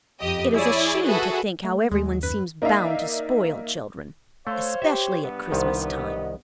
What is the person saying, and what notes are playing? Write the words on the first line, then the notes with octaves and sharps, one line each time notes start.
It is a shame to think how every one seems bound to spoil children, especially at Christmas time.
F2 G4 D#5
E4 G#4 C#5 D5
F#4 G#4 A4 B4 E5 F#5
A3
D#2 G#3
F#2 B4
A#3 D#4 D5 E5 F5
A3 C5 C#5 F5
G4 E5
G2 B3
C2 D#3 C5
D#5